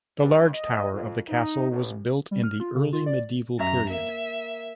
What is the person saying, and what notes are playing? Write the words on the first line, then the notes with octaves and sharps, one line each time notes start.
The large tower of the castle was built in the early medieval period.
G2
D#5
F2
D#4
A1
G3
F6
F4
C#3
F4
D5
F#2 E5 A#5
A#3 E5